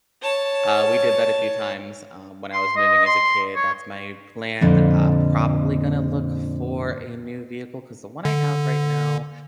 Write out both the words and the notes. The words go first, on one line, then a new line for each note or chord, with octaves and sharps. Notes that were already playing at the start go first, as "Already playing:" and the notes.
Uh, we did that a few times, um, when I was moving as a kid. That's my plan. Uh, probably gonna look for a new vehicle 'cause the one I have right now,
C#5 A5
C6
D#5
C6
C#5
F2 A#2 D3
D3